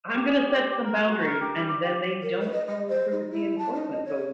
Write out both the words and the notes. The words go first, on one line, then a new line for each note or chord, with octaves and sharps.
"I'm gonna set some boundaries," and then they don't follow through with the enforcement. So,
G4
G#4
G4
G4
A#4
F#4
A#4
G4
G3
D5
G4
A#4
B4
D#5
D#5
C5
D#4
E4
A5
D#4
D#5
C#5